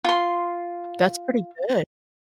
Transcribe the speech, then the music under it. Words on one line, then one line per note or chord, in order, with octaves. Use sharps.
That's pretty good.
F4 C6